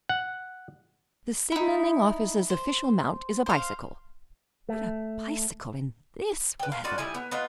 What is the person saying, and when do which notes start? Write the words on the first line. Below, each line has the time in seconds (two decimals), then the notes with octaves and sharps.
The Signalling Officer's official mount is a bicycle, but a bicycle in this weather--!
0.09 F#5
1.52 D#4 E4
2.50 C5
3.46 C5 F5
4.69 A3
6.60 B4 G5
6.72 F5
6.84 F4 F#4 B4 D5
6.98 G3 D#4 E4 G#5
7.14 B3
7.31 B3 D#4 F4 F#5